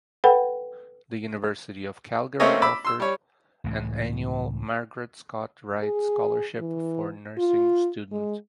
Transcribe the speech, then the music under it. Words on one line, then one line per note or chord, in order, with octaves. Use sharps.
The University of Calgary offered an annual Margaret Scott Wright Scholarship for nursing student.
A4 B4 F#5 G5 B5
A3 A#3 C4 C#4 C#5 D#5
B5 D6 E6
C6 E6
G3 C#5
C#2 A2 C#3 E3
G#4
E3
F4
G#3